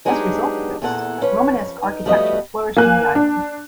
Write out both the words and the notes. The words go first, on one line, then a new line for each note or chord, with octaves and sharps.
As a result of this, Romanesque architecture flourished in the island.
F#3 G#3 B3 D4 D#4 G4
E2 A#2 E3 A4 F#5
F3 C#4 B4 C#5
D#4
F3 G3 A3 B3 F#4 D#5
A#3 G#5 F#6
D4